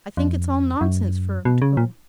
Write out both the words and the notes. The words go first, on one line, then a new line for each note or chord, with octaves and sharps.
I think it's all nonsense for 'em to go.
F2
F#2
B2
C#3
A#2